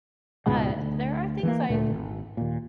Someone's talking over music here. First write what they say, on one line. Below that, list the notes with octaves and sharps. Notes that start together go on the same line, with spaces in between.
but there are things I
C#2 G#2 B2 G#3
D2
E3 A3 A#3
D2 A#2 D3 A3
G#1
D#2 A#2